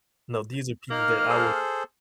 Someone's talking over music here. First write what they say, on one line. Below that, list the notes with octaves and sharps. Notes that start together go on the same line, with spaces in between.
no, these are people that I would
A#3 D#4 F6
G#4 A4 C5